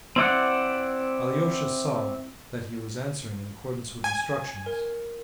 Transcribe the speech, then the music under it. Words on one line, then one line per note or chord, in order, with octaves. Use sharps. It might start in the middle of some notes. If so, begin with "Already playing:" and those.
Alyosha saw that he was answering in accordance with instructions.
C4 E4 D5 F#5
G#5
A#4